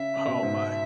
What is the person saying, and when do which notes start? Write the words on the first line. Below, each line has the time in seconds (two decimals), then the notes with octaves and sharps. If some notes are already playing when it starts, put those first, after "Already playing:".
Oh, my.
Already playing: C#3 E5
0.17 C#3
0.27 B2
0.43 G#2